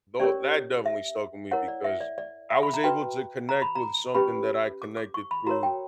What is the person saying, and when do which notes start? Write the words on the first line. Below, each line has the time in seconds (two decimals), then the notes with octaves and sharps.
though that definitely stuck with me because I was able to connect with something that I connected through
0.20 C#4 G4 A#4 C#5 D5
0.86 E5
1.51 E4 A#4 C#5 F#5
1.68 D5
1.84 E5
2.01 D5
2.18 D5
2.50 E5
2.63 B5
2.74 A#5
2.84 F#4 B4 G5
3.49 A#5
3.62 B5
3.75 A#5
4.15 C#4 G4 B4 B5
4.82 D6
4.97 D6
5.14 C#6
5.31 B5
5.47 F#4 A#4 C#5 A#5
5.63 G5